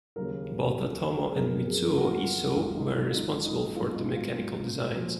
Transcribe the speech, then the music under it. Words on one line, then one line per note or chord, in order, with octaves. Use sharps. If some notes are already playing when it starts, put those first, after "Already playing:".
Both Otomo and Mitsuo Iso were responsible for the mechanical designs.
D#2 C#3 F#3 A#4
G#4
F#2 F3 B3 A#4
G#4
F#4
F4
F#4
G#1 G#2 F#3 F4
D#4
F4
F4
D#4
D#4
G#2 F#3 B3 F4
D#4
F4
A#2 F3